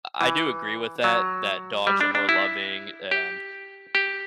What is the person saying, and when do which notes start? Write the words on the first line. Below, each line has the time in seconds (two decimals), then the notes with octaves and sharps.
I I do agree with that, that dogs are more loving, and
0.21 E3
1.04 F#3
1.87 G3
2.01 D4
2.15 D4
2.29 E4
3.11 G4
3.95 G4